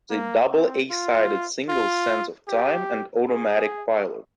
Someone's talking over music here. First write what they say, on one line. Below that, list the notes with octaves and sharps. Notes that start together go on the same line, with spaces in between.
The double A-sided single "Sands Of Time" and "Automatic Pilot".
A#3
C4
F4
F4
G4
G#4